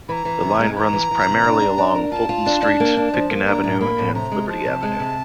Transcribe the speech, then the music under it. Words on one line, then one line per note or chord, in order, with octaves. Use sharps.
The line runs primarily along Fulton Street, Pitkin Avenue, and Liberty Avenue.
E3 A#5 B5
E3
C3
G#3
E3 A#5 B5
E3
E3
C3
D4
D4
D4
A#4
F4 A5
F4
D4
D4
A#3
D4
F3
A#3
D4 A#5
A2
A#3 B5
A2
C3 A#5
G#3
F3 A5
C3
G#3
C3